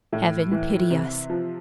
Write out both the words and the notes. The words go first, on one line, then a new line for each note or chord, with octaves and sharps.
Heaven pity us!
A2
E3
C3
F3